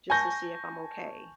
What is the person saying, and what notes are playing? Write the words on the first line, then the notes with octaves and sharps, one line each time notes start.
just to see if I'm okay.
G#5 A5 C#6 G6 A#6